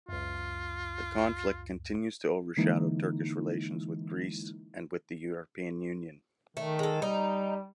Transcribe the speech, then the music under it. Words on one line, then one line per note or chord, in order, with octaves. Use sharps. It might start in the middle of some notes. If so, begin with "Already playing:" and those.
The conflict continues to overshadow Turkish relations with Greece and with the European Union.
C#2 F#2 F4
D3 E3 G#3 A#3 D#4 E4
D#3 A3
G#3 A4
G3 D#4